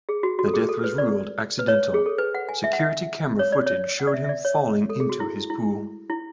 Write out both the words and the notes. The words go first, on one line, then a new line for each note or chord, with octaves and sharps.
The death was ruled accidental; security camera footage showed him falling into his pool.
G#4
F#4
F#4
A4
G#4
A4
B4
D5
B4
C#5
G#4
A4
B4
F#5
G#5
E5
F#5
E5
C#5
D5
C#5
F#5
D5
E5
E5
D5
C#5
A4
G#4
F#4
E4
E4
E4